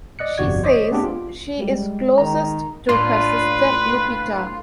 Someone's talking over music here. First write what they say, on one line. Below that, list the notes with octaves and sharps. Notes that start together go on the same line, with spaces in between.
She says she is closest to her sister Lupita.
D5 D#5 F#6 C#7
G1 F2 C3 F#4 D5 G#6
C5 C#5 D#5 D6 D#6 B6
A3 B3 C4 D4 G4 G#4
F4
G3 G#3
D#3 A#5
A2 A#3 D4 F4 B4 C6